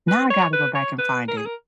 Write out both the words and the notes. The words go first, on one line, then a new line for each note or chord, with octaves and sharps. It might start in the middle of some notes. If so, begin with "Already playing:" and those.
Now I gotta go back and find it.
B4
C#5
B4
C#5
B4
A#4
G#4
A#4